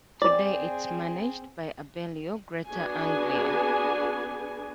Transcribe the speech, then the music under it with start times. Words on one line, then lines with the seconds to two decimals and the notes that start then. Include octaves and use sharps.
Today it is managed by Abellio Greater Anglia.
0.22 C4 G#4 D5
2.67 B3 D4 F#4 G#4 G#5